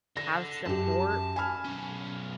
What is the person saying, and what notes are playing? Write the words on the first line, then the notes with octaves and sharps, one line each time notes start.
have support,
D3 A#6
F#2 G4 A5
G#5 B5 F6
B1 C#4